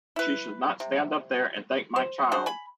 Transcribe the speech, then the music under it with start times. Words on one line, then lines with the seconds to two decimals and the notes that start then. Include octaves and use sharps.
She should not stand up there and thank my child.
0.16 E4 B4
0.80 C3
1.96 C5
2.32 D4 F#4 G#4 C5
2.46 G#5 B5